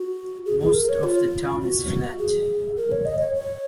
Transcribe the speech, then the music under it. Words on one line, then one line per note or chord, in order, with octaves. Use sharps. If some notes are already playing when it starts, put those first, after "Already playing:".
Most of the town is flat.
Already playing: F#4
G#4
G#4
A#4
C#5
F4
F#4
G#4
A#4
C#5
D#5
C#5
C#5